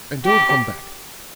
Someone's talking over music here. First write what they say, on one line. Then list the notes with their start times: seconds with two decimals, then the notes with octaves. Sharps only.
And don't come back.
0.25 G4